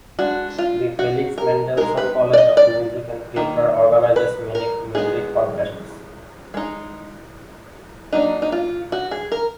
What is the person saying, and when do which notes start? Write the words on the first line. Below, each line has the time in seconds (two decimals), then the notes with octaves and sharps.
The Felix Mendelssohn College of Music and Theatre organizes many music contests.
0.19 G#3 D4 F#4
0.58 F4
0.99 F#4
1.38 A#4
1.77 G#3 D#4 A#4
1.97 B4
2.33 D5
2.38 D#5
2.57 D5
3.36 D#3 A#3 D#4
4.16 B4
4.55 A#4
4.95 G#3 B3 D#4 G#4
6.54 G#3 D#4
8.13 F#3 A#3 D4 D#4
8.42 D#4
8.52 F4
8.92 F#4
9.11 G#4
9.32 A#4